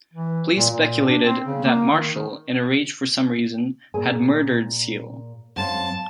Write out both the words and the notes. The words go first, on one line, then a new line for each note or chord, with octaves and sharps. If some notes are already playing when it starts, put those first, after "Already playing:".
Police speculated that Marshall, in a rage for some reason, had murdered Seale.
E3
A#2
A#2
D4
C4
C#3
A#3
D#3
D#3
A#2 G#4 G#5
F#2 C4 F5 A5